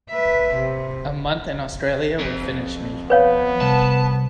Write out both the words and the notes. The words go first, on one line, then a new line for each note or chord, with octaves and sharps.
A month in Australia would finish me.
B4 E5
C3
F2
B3 B4 C#5 F5
C2 A5